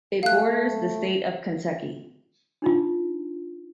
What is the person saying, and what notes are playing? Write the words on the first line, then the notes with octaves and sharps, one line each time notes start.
It borders the state of Kentucky.
A3 F5 F#6
D4 D#4 F4